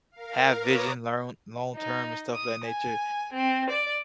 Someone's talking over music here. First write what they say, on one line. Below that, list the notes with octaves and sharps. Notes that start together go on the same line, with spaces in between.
have vision learn long term and stuff of that nature,
A#4 F5
A#4 B4 C#5 A#5 D6 D#6
D#4
D#6
G#5
C4
D5